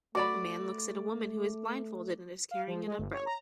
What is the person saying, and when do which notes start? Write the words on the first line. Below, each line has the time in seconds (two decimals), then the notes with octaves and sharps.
A man looks at a woman who is blindfolded and is carrying an umbrella.
0.15 A3 F#4 D5 B5 D6
2.51 F5
2.67 F3
2.86 G#3
2.98 G1
3.13 C#5
3.26 A#5